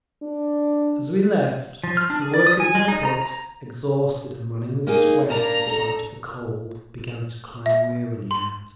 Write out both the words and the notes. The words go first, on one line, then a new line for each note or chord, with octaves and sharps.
As we left, the workers in the pit, exhausted and running with sweat in spite of the cold, began to climb wearily out.
D4
F3
F6
D4
G#4
D5
D#6
G#5
G#3
D#4
A#5
A#5
A#3 D#4 G#4
A#3 D4 A#5
A4
E5
C6